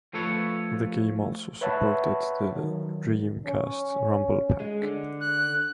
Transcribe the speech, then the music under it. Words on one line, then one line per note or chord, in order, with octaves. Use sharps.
The game also supported the Dreamcast rumble pack.
F3 A3 A4 B4 C#5
B4 C#5 E5 F#5 A5 B5
D#3 F#3
C#4
G#3
D3
F#6